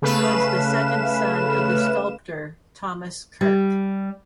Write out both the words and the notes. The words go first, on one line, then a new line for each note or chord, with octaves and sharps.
He was the second son of the sculptor Thomas Kirk.
C#3 A3 B4 F5 E7
G3